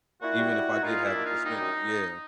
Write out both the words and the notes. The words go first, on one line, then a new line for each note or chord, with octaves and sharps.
even if I did have it to spent it yeah.
A#2 E4 F#4
G3
G3
A#2
A#2 D#4 F4
A#2
D4 E4
A#3
D#4 F4
A#2
G3 D#4
F#2